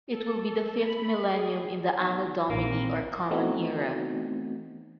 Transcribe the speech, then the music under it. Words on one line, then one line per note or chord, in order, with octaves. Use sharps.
It will be the fifth millennium in the Anno Domini or Common Era.
A4
B5
G#4
B1
A#1 D#2 G#2 A#3 C4
E3 A3 B3 C4 D#4 F#4